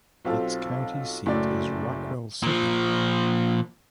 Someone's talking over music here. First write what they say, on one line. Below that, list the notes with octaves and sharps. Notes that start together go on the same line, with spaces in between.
Its county seat is Rockwell City.
B1 C4 F4 A4
F#1 A2 F#3 A3 D5
A#2 F3